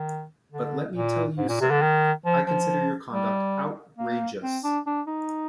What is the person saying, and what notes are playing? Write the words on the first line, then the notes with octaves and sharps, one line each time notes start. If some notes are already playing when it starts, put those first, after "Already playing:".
But let me tell you, sir, I consider your conduct outrageous!
Already playing: D#3
D3
A#2
G#2
A#2
C3
D3
D#3
F3
F3
G3
A#3
C4
D4
D4
D#4